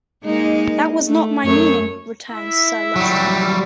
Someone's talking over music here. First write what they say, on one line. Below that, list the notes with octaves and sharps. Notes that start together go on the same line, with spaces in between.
"That was not my meaning," returns Sir Leicester.
G#3 A#3 D#4
A3
F#2 A3 C#5
E4 E5
F#3 G3